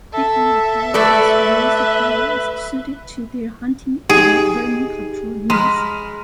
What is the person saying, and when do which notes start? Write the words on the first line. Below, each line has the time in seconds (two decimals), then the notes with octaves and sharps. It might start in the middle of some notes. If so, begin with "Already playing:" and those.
Different localities raised terriers suited to their hunting or vermin control needs.
0.14 A4 E5
0.94 A3 A4 B4 D5
4.10 D#4 G4 G#4
5.50 G#3 A#5 B5 F6